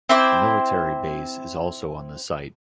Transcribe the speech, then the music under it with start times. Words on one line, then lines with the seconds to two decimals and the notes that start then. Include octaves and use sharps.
A military base is also on the site.
0.09 C4 E4 C5 D6